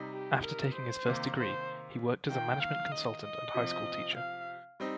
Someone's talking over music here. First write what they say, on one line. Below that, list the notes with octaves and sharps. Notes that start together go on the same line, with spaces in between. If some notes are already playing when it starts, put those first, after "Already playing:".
After taking his first degree he worked as a management consultant and high-school teacher.
Already playing: C3 G3 D#4
G4
A#4
C5
C3 D#3 A#3
C5
D#3 A#3 D#4 G5
F5
D#5
D#5
C3 F3 C4 F4
F5
G3 C4 D#4